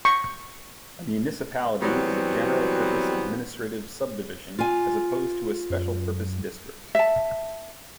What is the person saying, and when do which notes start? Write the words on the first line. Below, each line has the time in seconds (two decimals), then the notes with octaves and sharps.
A municipality is a general-purpose administrative subdivision, as opposed to a special-purpose district.
0.05 C#6
1.82 E3 F#3 G3 B3 C4 F#4
4.59 F4 G#5
5.70 F#2
6.95 E5 A5